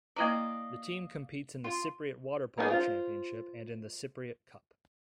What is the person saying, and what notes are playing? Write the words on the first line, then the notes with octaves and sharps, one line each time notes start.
The team competes in the Cypriot Water polo Championship and in the Cypriot Cup.
A#3 E4 D5 D#5 F5 A#5
F4
A#3 B3 D4 D#4 G#4
F4 C5